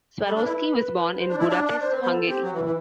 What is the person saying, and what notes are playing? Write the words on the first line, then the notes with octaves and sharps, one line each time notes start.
Swarowsky was born in Budapest, Hungary.
G3 A4
D4
B4
E4
B4
C5
D4
E4 D5
E5
D4 D5
D4
D4 C5
C4 B4
C5
B3
A4
C4 G4
F#3 F#4
E3
E4
E3